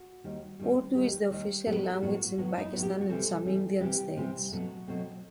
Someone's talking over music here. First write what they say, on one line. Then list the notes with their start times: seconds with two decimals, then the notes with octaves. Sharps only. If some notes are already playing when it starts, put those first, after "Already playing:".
Urdu is the official language in Pakistan and some Indian states.
Already playing: F#4
0.24 D#2 D#3 G3
0.59 D#2 D#3 G3
0.95 D#2 D#3 G3 G4
1.30 D#2 D#3 G3
1.67 A2 F#3 B3 G4
1.76 B4
1.84 A4
1.93 G4
2.02 A2 F#3 B3 F#4
2.38 A2 F#3 B3
2.58 D#4
2.65 E4
2.73 A2 F#3 B3 F#4
2.83 G4
3.01 F#4
3.09 C3 E3 G3 C4 A4
3.45 C3 E3 G3 C4
3.81 C3 E3 G3 C4 G4
4.17 C3 E3 G3 C4
4.52 B2 F#3 A3 C4 F#4
4.88 B2 F#3 A3 C4